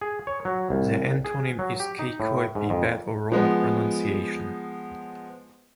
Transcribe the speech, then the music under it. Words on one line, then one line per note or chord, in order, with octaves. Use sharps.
The antonym is "cacoepy" "bad or wrong pronunciation".
G#4
C#5
F#3
C2
G#4
F#3
G4
D#4
A2
G#2
F2
F3 G#3 B3